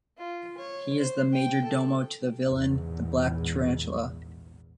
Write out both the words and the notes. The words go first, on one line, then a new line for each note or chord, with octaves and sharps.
He is the majordomo to the villain the Black Tarantula.
F4
C#5
C5
G5
A4
A#1 E2 G#2